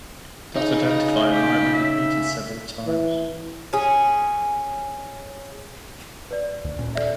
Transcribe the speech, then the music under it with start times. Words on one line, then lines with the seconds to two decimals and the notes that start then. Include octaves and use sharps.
That identifier might be repeated several times.
0.55 C#3 D#4
1.32 G4
1.74 E5
2.87 E3
3.73 C#4 G#4
6.31 B4 D5
6.64 D2
6.79 D#1 A#2 C#4
6.95 A4 D5 E5